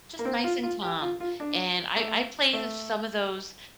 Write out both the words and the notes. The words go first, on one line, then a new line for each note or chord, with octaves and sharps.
Just nice and calm, and I I play the some of those
A#3
C4
F4
F4
G4
F4
F4
D4
A3
A3